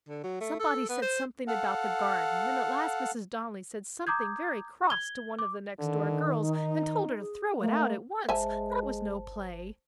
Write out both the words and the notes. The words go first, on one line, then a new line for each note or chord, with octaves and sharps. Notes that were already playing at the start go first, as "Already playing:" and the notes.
Somebody said something about the garden, and at last Mrs. Donnelly said something very cross to one of the next-door girls and told her to throw it out at once: that was no play.
D3
F#3
A3
A4
B3
C5
A4 F5 F#5
A#5 D6 D#6 G6 G#6
G#6 G7
D6
D3 D#3
D#4
G#4
A3 A#3
G1 G#3 C5 E5 G#5 A5